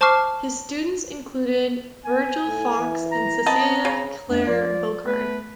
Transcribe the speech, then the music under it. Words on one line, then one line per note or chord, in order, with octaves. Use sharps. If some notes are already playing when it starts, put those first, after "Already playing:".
His students included Virgil Fox and Cecilia Clare Bocard.
C5 A5 C#6 D6 F6 C7
B3 G#5
A2
E3
A#5
B3 C4 D#5 A5
C#3
F2 A3 B3 D4
F3 F4 D5
A3 B3 B4